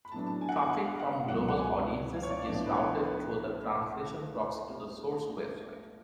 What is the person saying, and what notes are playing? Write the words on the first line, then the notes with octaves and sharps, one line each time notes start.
Traffic from global audiences is routed through the translation proxy to the source website.
B5
A2 F#3 B3 D4 A5
A5
G#5
F#5
G#5
F#5
F5
F#5
C#2 B2 F#3 F#5
F#5
G#5
F5
C#5
D5
A2 F3 B3 D4 D5
B4
C#5
B4
B4